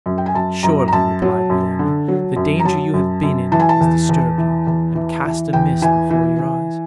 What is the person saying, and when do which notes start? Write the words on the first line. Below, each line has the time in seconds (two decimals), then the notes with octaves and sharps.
"Surely," replied Leander, "the danger you have been in has disturbed you, and cast a mist before your eyes."
0.06 F#2
0.18 G5
0.26 G#5
0.34 F#2 A5
0.63 F#2 A#5
0.88 A#5
0.93 F#2 A5
1.22 F#3
1.50 F#2
1.79 D3
2.08 F#3
2.36 F#2
2.60 A#5
2.65 F#3 A5
2.94 F#2
3.23 F#2
3.52 E3 A5
3.60 G#5
3.69 A5
3.81 E2
4.09 E2
4.38 E3
4.67 E2
4.95 E3
5.25 E3
5.53 E2 G5
5.82 E3 G#5
6.10 E3
6.39 E3